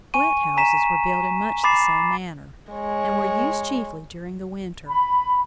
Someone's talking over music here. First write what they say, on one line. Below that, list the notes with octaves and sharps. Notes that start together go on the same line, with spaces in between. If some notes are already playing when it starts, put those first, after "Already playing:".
"Sweat houses" were built in much the same manner, and were used chiefly during the winter.
G#5 C#6 D#7
G#5 A#5 B6 E7
B5 D6 A6 C7 E7
G#3 C#5
B5